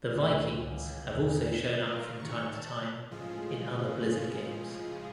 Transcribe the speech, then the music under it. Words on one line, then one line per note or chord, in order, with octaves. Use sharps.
The Vikings have also shown up from time to time in other Blizzard games.
D2 A2
C#2
E2 D#3
F4 A#4
D#3 C#6
A5
A2 C#3 F3 G#3 F4 G#4